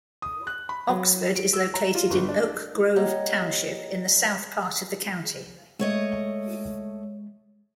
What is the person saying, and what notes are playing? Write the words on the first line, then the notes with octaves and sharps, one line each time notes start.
Oxford is located in Oak Grove Township in the south part of the county.
D#6
F#6
B5
F#3
D7
E6
A#5
F4
G1
D4
A#3 G4 C#5 D#5 F#5
G#3 A3 C#5 D#5